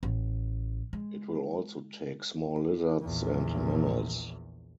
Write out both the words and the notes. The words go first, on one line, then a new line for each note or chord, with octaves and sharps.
It will also take small lizards and mammals.
A1
G#3
A#1 E2